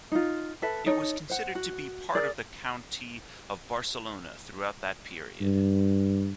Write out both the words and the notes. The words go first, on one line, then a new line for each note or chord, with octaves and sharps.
It was considered to be part of the County of Barcelona throughout that period.
D#4 F4
A4 B4 E5 A5
D#4 A4 C#5
C5 F#5
F#4
G#4 A#4 D5
G2